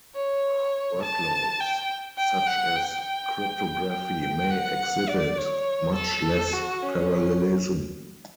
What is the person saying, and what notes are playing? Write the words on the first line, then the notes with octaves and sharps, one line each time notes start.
However, workloads such as cryptography may exhibit much less parallelism.
C#5
A5
G5
G5
F#5
G5
G5
F#5
D5
C#5
A4
F#4
C#4